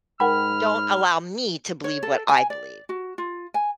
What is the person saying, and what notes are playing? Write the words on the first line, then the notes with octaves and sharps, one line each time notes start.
don't allow me to believe what I believe,
G#2 A#4 F#5 G5 B5 F6
C#5
A4
G#5
D5
F#4
F4
G#5